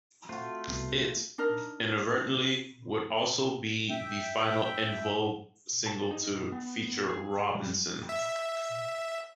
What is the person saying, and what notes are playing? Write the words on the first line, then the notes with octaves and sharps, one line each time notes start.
It, inadvertently, would also be the final En Vogue single to feature Robinson.
A3 C4 F4 F#4
C2 B2
D4 D#4 A#4
E5 G5
A5
D#4
B3
G#4
G3
E5